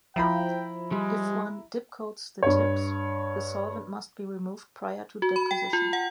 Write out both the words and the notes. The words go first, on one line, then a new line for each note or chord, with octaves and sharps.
If one dip-coats the tips, the solvent must be removed prior to deposition.
F3 E4 G5 A#5 B5
G3 G#3
G2 C#5
F#4
B5
G5
F4
F#5